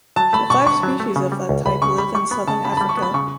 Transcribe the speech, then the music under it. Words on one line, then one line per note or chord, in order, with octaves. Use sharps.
The five species of that type live in southern Africa.
F#3 A5
A3 B5
B2 C#6
D4 C#6
F#3
A3
C#3
G3
C#2
C#2 B5
C#3 C#6
G3 B5
G3 C#6
B3 B5
C#3 A5
C#3 B5
A5
G3 B5
C#6
B3
B5
C#3 C#6